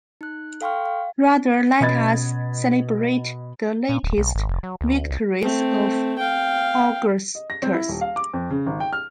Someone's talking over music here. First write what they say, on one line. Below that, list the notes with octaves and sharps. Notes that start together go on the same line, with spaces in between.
Rather let us celebrate the latest victories of Augustus.
D#4 F#6
A4 F5 G5 C6 C#6 F6
F5
B2 C#4 D#5 B5 G#6 A6
A#2
D1
B1
G#1
F1
F#3
D2
C2
A3 C4
F5 G5
D#5
A#6
C4
E4
D#1
F5
D6
F2
C#3
G#1
G5
F6